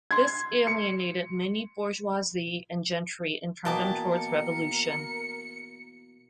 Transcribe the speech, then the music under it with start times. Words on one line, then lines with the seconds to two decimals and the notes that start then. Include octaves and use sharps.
This alienated many bourgeoisie and gentry and turned them towards revolution.
0.11 C6 G#6
0.67 C#7
3.65 B2 E3 A#3 A#4 G5 A5 D6
4.18 C#7